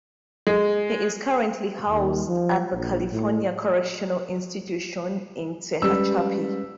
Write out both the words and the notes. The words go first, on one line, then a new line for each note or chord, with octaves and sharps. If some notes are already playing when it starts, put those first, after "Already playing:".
He is currently housed at the California Correctional Institution in Tehachapi.
G#3
D#2
F3
A#1
A2
G3 G#3 C#4 B4 E6